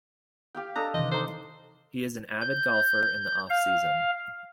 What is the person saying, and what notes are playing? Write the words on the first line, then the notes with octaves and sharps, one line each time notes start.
He is an avid golfer in the off season.
G4 F5 G5
D4 A4 D#5 A#5
C3 D#3 E3 C5 D#5
D#4 A4 C5
G6
F5